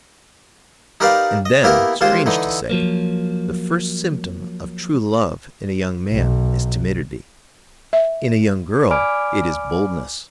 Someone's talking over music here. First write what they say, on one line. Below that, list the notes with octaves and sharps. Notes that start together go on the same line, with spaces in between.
And then, strange to say, the first symptom of true love in a young man is timidity; in a young girl it is boldness.
D#4 G4 A#4 B4 D5 F5
D#5
A#3 B3 E4 G4 A#4 B4
D#2 G#3 F4 C5 D6
D3 E3 D#4
F3 F#3 A#3
B1
E5
D5 G#5 B5 D6 F6 D7